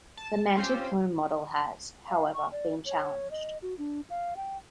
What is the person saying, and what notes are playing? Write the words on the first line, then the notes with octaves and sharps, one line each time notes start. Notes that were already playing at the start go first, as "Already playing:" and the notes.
The mantle plume model has, however, been challenged.
A5
C4 C#4 F4 G4 C5
F5
C#6
D5
C#5
D#5
F#4
D4
F5
G5